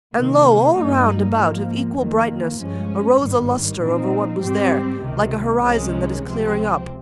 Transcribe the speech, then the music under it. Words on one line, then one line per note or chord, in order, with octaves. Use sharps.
And lo! all round about of equal brightness Arose a lustre over what was there, Like an horizon that is clearing up.
C3 D#3 A#3
G2 G3 A#3 D#4
G#2 F3 A#3
F2 D#3 A#3
G2 F3 G#3 C#4
G#1 G2 D#3 G3
A#2 F3 C4 D#4
G#2 G3 C4 G4
C#2 C3 D#3
C2 C3 D#3 G#3 C#4
C#2 C3 F3 C4